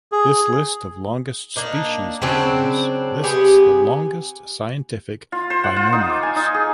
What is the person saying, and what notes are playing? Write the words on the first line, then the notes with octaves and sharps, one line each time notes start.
This list of longest species names lists the longest scientific binomials.
G#4
A#3 D4 D#4
C#3 F#3 C4 D4
C3 B3 G4 G#4
F4
C5
F#5
F4
D#4
D6
G#5
D#4
G#4